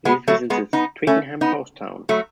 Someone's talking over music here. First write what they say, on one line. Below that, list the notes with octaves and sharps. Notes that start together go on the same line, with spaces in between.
It is within the Twickenham post town.
G#3 B3
F#3 A3
G#3 B3
B3 D#4
A3 C#4
B3 D#4
F#3 A3